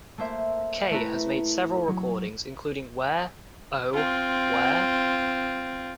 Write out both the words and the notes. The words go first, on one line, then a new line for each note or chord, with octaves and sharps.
Kaye has made several recordings, including Where, Oh, Where?
A3 A#3 C5 E5
A3 E4 B4 A#5
F#3
C4 F4